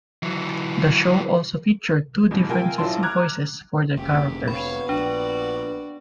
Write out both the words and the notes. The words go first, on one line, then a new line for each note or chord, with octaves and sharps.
The show also featured two different sets of voices for the characters.
E3 F#3
E2 G#2 B2
C3 F4 A#4 G5 G#5
A#1 F#3 E4 F4 A5 C6
A#5 D6 F6 F#6 G#6
F1 A#3 G4
B3 C#5 F5 B5
A#1 D4 F#4 D5